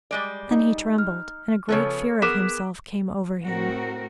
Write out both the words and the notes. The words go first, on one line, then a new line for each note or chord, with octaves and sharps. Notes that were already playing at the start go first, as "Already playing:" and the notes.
Then he trembled, and a great fear of himself came over him.
G3 G#3 D5
D#4
F6
C#3 F3 B3 A4 C#5
B3 G#4 A#4 D6 F#6 B6 E7
A2 C4 F#4 A#4